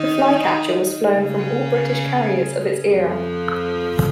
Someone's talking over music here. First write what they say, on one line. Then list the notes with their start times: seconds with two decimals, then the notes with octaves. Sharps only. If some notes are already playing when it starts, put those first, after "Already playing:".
The Flycatcher was flown from all British carriers of its era.
Already playing: D#3 D#4
1.18 C#3 C#4
2.89 F2 F3